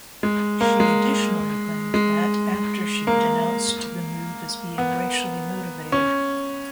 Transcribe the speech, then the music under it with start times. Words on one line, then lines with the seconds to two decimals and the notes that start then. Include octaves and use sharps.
She additionally claimed that after she denounced the move as being racially motivated.
0.23 G#3
0.61 A#3
0.80 G#3
1.94 G#3
3.07 A#3
4.78 B3
5.92 C#4